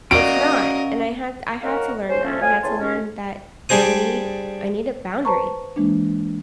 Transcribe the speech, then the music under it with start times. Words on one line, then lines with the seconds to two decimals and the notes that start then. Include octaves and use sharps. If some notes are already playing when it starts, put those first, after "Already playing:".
It's not, and I had I had to learn that. I had to learn that I need I need a boundary.
0.11 C#4 F#4 A#4 D5 D#5 F5 F#5 D7
1.62 A#3 C#4 D#4 F#4 A#4
2.09 C#4 C5
2.24 F3 A3 C#4
2.41 F2 F#3 F5 G#5
2.63 E2 A2 C#3 G#5 A5 C6
2.80 D#2 C#4
3.69 G3 D4 G#4 C5 D#6
5.25 B4 C5 A5 A#5 C#6
5.76 E3 G#3 A#3 D4